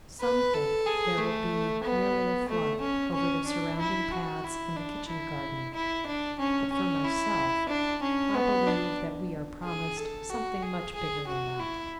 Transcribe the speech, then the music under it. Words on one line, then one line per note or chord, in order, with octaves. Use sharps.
Some think there will be merely a flood over the surrounding paths and the kitchen garden, but for myself I believe that we are promised something much bigger than that.
B4
A4
G#4
A3
B3
A3
C#4
C#4
D4
E4
F#4
E4
D4
E4
E4
D4
C#4
C#4
E4
D4
C#4
B3
D4
G#4
A4
F#4
G#4
G#4
F#4
E4